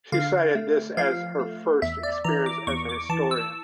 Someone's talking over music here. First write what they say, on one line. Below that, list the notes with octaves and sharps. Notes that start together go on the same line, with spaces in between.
She cited this as her first experience as a historian.
D3 F5
A3
F3 F5
A3
E2 E5
D5
E3 A#5
D6
E2 C#6
D6
E3 A5
E6